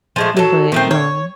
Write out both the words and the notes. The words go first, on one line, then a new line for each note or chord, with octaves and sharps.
but, um
F3 G#3 A3
F#3 A4
D#3 A3 C4
C#5